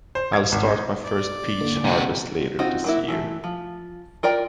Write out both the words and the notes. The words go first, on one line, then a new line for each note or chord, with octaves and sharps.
I'll start my first peach harvest later this year.
C5
G#6
G#1
D#4
D5
D3 A#3
C3 F#4
C4 D#4 F4 F#4
F#3 A#3 E4
E3 G#3 A3
F3
F4 A#4 D5 G5